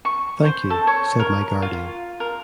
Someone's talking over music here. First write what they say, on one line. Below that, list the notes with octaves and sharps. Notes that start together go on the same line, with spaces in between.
"Thank you," said my guardian.
C#6
C5
A4
C#5
A#4
F4
A#4